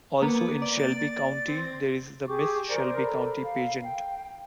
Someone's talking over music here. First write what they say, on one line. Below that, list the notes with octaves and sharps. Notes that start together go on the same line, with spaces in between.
Also in Shelby County there is the Miss Shelby County Pageant.
A#3 B3
D5
A6
C4
G4 G#4 C#6 D6
A#4 C5 D5 A#5
A4 A#5 B5
F5
G5